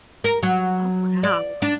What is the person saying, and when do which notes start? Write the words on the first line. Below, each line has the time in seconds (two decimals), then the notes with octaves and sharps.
Oh, wow.
0.24 A#4
0.43 F#3
1.23 D5
1.62 D4